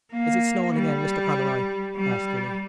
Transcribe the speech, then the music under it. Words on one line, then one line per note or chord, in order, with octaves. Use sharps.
"Is it snowing again, Mr. Conroy?" asked Lily.
A#3
G3
G3